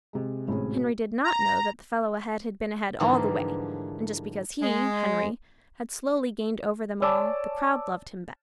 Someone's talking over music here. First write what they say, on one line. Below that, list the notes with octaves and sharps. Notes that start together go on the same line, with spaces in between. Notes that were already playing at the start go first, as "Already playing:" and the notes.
Henry did not know that the fellow ahead had been ahead all the way, and just because he--Henry--had slowly gained over them all, the crowd loved him best.
C3 G#3
G#1 A2 C3 C#4 G#4
B2
A#5
G#2 D3 E3 F3 G3 A#3
G#3
C#5 D5 G#5 A5 D6 E6